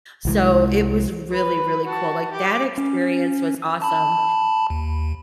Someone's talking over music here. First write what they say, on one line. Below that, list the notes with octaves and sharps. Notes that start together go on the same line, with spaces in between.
so, it was really, really cool, like that experience was awesome.
C2 E3 G#3
B4
F#4 A5
G4 D6
C#4
A5 B5
D#2